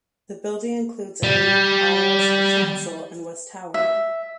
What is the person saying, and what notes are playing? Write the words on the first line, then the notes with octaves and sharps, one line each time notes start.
The building includes a nave, aisles, a chancel and west tower.
G3
E5